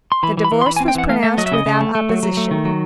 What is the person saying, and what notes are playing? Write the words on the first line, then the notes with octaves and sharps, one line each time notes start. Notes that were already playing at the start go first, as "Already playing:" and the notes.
The divorce was pronounced without opposition.
C6
E3 B5
E3
B5
E3
C6
E3 B5
G#5
C4
G5
E3 F#5
A3 F5
A3 E5
F#3 D#5
E5
C#3 D#5
C#3
A3
A3
F#3
F#3
A3
D#3
F#3